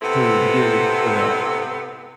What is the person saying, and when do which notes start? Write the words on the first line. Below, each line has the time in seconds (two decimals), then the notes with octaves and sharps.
to get it to that,
0.02 C3 B3 C4 E4 A4